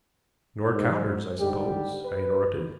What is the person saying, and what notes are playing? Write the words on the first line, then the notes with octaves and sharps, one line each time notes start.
"Nor counters, I suppose," I interrupted.
G#2
G#2 D3 G3 G4
B4